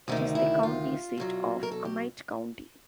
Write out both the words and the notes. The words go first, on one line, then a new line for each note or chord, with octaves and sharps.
It is the county seat of Amite County.
D2 C3 D#3 D#4
E4
F4
E2 B2 F#3
A#4
A4
G4